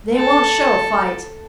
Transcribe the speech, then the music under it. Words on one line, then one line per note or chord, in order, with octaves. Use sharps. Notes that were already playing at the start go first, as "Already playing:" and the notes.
They won't show fight.
A4